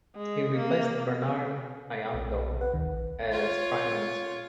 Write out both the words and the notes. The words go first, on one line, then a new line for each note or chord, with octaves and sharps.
He replaced Bernard Ayandho as prime minister.
G#3
A#3
B1
B4 F#5
D2 D#3
A#1
F4 C#5